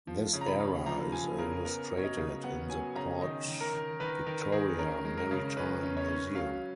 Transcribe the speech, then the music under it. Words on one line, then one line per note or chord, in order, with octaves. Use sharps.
This era is illustrated in the Port Victoria Maritime Museum.
F3
C#3
A#5
B5
C#3
F3 A#5
F3 G#5
C#3 A#4
B3 A#4
F#3
C#5
D#5
C#3
B3 F#5
F#3 G#5
C#3 A#5
D#3 D#5
D#3
A#4
D#3
D#3 B4
D#3 A#4
D#3 G#4
C#4 A#4
G#3
A#4
C#3
C#4 B4
C#4
C#5
C#4
F#3 F5